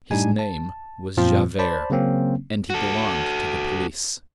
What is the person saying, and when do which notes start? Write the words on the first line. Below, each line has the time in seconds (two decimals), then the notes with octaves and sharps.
His name was Javert, and he belonged to the police.
0.11 A2 G3 D4 D#4 G#5
0.39 A5
1.17 F#2 A#2 F3 C4 F4
1.59 C5 D5 A5 B5
1.90 C#3 F#3 A#3 C4 C#4
2.70 F#4 A4